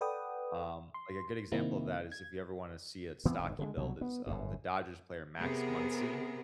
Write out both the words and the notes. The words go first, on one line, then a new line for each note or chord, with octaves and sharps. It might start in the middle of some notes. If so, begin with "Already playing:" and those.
Um, like, a good example of that is if you ever wanna see a stocky build is, um, the Dodgers player Max Muncy.
A4 B4 D5 F#5 G5 D#6
C6
C3 D#3 A#3 C4 D#4 E4
G#6
E3 B3 C4
G1 A2 D#3
D3 E3 G#3
C2 B2 F#3
B3
G1 F#2 A2
C3 B3 G#4 A#4